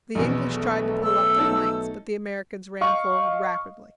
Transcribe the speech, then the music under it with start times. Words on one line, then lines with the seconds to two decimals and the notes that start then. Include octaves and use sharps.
The English tried to pull up the planks, but the Americans ran forward rapidly.
0.15 A#1 E2 B2
0.52 B1 A3
1.03 C#3 E6
1.36 C#4 D#4 A4
2.81 D#5 F5 C#6